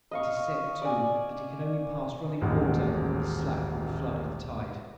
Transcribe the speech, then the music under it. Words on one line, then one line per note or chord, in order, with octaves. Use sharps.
It is said, too, that he can only pass running water at the slack or the flood of the tide.
D#5 F5 C#6
D5 G#5
D#1 A1 F#2 G#3 F#5